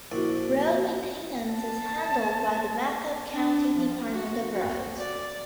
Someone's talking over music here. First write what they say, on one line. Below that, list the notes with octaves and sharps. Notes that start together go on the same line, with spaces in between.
Road maintaince is handled by the Macomb County Department of Roads.
A#1 E4 F#4 D5
A5
D4
F3
F#4
F#4
D5